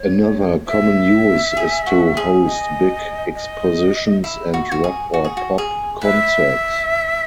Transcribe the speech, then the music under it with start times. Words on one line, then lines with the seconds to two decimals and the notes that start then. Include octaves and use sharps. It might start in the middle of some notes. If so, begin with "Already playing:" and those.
Another common use is to host big expositions and rock or pop concerts.
Already playing: C#5
0.67 E5
1.57 G#4
1.86 F#4
2.17 G#4
2.45 D#5
3.34 D#5
4.24 E4
4.54 F#4
4.71 F#4
4.84 G#4
5.14 F#4
5.25 G#4
5.37 F#4
5.58 G#4
6.01 B4 E5